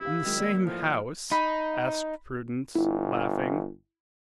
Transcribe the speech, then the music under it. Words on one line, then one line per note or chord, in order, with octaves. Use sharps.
"In the same house?" asked Prudence, laughing.
E4 G4 F5
D#3 F#3 G#3
A#3 D5
A2 E3 F3
D#4 B5
G1 E4